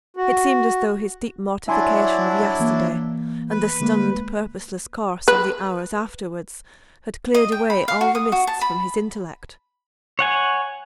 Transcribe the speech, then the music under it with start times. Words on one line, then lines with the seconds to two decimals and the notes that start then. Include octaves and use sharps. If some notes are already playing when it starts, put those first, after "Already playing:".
It seemed as though his deep mortification of yesterday, and the stunned purposeless course of the hours afterwards, had cleared away all the mists from his intellect.
0.16 F#4
1.68 F#3 D4 E4 E5 G#5 C6
2.60 E3 A#3
3.50 B4
3.80 D3 G#3 A#3
5.28 B4
7.34 D#5
7.52 G5
7.70 B5
7.88 F5
8.01 F#4
8.15 D#6
8.32 F#4
8.47 A5
8.61 B5
10.19 C#5 F#5 G#5